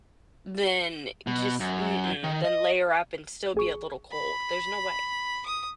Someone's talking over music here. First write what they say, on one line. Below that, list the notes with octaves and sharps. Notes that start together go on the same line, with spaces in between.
than just- mm-mm- than layer up and still be a little cold. There's no way.
B2
F#2
D#3
D#5
A1 G#4 C#6
B5
D#6